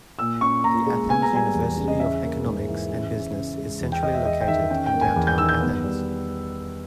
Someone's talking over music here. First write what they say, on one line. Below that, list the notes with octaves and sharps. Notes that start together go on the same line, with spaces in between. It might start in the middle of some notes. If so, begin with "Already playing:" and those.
The Athens University of Economics and Business is centrally located in downtown Athens.
A#2 E6
C#4 C#6
A#2 A#5
G#3
B3 G#5
A#5
G3 G#5
E2
C#3
D#5
C#4 E5
A#3
G#2
E3
C#3
C#4
C#3
G#3
E2
G5
G#3 D#5
E5
E2 D#5
G5
D#3 E5
C#4 G5
G5
A#3
G#5
E2
G6
D#3 E6
G6
B3
G3